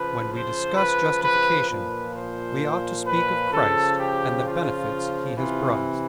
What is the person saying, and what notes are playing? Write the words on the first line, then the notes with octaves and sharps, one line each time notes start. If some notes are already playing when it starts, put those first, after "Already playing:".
When we discuss justification we ought to speak of Christ and the benefits He has brought us.
Already playing: C#3 F3 B4
C5
B4
B4
A#2 F3 B4
C5
B4
C#3 F3 A4
G4
F4
C3 E3 F4